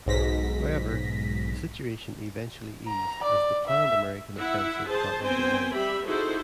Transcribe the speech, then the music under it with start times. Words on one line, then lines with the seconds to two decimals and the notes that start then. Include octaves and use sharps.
However, the situation eventually eased as the planned American offensive got underway.
0.06 B1 G#2 A#6 B6
2.88 A#5
3.24 D5
3.67 E5
4.38 E4 E5 F#5
4.90 G#4 C5 A5
5.23 B3 C4 C5 G5 G#5
5.74 G3 G4 E5 B5
6.06 D#4 E4 F#4 G#4 A4 C5